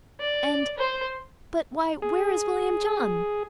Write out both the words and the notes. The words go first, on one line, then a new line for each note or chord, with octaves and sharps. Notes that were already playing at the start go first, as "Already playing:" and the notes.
"And--but, why, where is William John?"
D5
C5
G#4